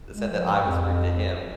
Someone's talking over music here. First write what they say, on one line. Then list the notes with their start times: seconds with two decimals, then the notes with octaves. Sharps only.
said that I was rude to him.
0.15 G#3
0.30 F3
0.48 G#2
0.64 F2
0.81 F2